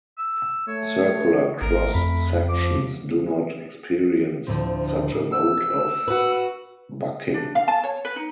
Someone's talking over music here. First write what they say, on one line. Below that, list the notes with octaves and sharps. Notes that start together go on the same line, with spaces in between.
Circular cross sections do not experience such a mode of bucking.
E6
A3 C#5
G#1 A3 A#4
F2 B5
F3 D6
D2 A2 F3 C4
E6
F#4 B4
D4
F5
A5
C#5
B4
D#4